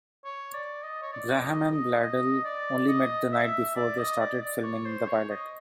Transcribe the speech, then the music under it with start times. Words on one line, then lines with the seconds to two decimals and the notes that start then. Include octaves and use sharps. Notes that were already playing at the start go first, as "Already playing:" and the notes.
Graham and Bledel only met the night before they started filming the pilot.
0.25 C#5
0.54 D5
0.83 D#5
1.02 C#5
1.13 D5
1.34 D5
1.42 D#5
1.71 D#5
2.01 D#5
2.44 D5
2.88 D#5
3.32 E5
3.76 D5
3.98 D#5
4.20 D5
4.42 D5
4.64 C#5
4.86 C5
5.08 C#5
5.30 D#5